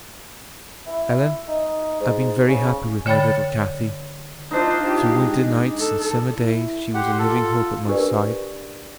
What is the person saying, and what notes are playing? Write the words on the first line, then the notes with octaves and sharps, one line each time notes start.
Ellen, I've been very happy with my little Cathy: through winter nights and summer days she was a living hope at my side.
E4
D#4
G#2
C#3
D3 C#5 G5 B5 A6
D4 D#4 F4 C5
F4 G4
G#3
A4
E4
G4 F#5 C6
F4 A4
D4 G4 A#4 B4 D5